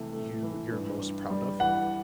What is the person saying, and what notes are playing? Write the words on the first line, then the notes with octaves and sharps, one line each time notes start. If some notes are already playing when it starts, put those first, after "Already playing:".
you you're most proud of?
Already playing: C3 E3 A3
A3
E3
G2
G2
G3
E3 F#5